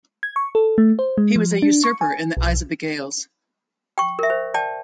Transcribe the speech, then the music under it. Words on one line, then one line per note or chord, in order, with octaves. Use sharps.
He was a usurper in the eyes of the Gaels.
G#6
C#6
A4
A3
C5
G#3
F3
D4
C#6
G#5
B1
G5 C#6
A#4 E5
C5
D5 G5 A5